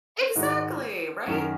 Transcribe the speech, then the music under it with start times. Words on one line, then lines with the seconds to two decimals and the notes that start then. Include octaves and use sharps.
Exactly, right?
0.36 G#2 D#3 G#3 D#4 F#4
1.27 F#2 D#3 F#3 C#4